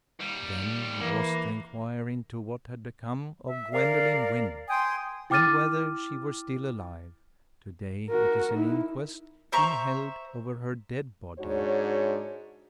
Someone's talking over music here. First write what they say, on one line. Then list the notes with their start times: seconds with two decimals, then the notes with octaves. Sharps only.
Then it was to inquire into what had become of Gwendoline Wynn, and whether she were still alive; to-day, it is an inquest being held over her dead body!
0.20 D#2 G3
0.99 E3 A#3
3.47 E5
3.73 A#4 D5 F5
4.68 G5 G#5 C6 D#6
5.30 E4 G5 D6 F6 A6 D#7
8.10 F#4 A#4
8.54 D#4 E4
9.52 C5 E5 A#5 C#6
11.39 G#2 G#3 D4 F#4 C#5